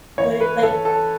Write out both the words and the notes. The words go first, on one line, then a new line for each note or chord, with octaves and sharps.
but it, like
E3 C#5
B4
E3 A4
A4